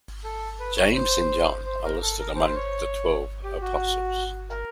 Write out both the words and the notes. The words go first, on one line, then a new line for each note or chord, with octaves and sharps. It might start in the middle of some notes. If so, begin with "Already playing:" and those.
James and John are listed among the Twelve Apostles.
A4
B4
C#5
C5
C5
A#4
A4
A#4
C5
C5
C#5
G4
F#4
A#4